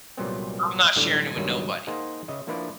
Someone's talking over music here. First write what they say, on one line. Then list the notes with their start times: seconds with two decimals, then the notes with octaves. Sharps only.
I'm not sharing it with nobody.
0.17 C2 A#2 F#3 G3 B3 C4
0.96 B1 A2 D3 G3 D4 A4
1.36 C#2 G2 B2 D#3 F#3 G3
1.87 A#3 D#4 G#4 C5 F#5 G#5
2.28 C#3 D#5 E5
2.47 F3 A#3 D4 E4 B4 D5